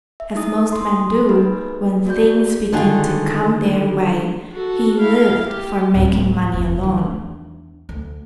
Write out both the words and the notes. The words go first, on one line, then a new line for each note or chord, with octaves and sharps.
As most men do, when things begin to come their way, he lived for making money alone.
E5
D#4 E4 D#6
C6 D#6
A#3 D#4 G#4 B4
A#3 F#4 G#4 D5 G6
D3 D#3 D4 F4 G#4
F#4 A4
E4 F5
G4
D1 G#3
F1 D#2
D#3
E2 D4
D2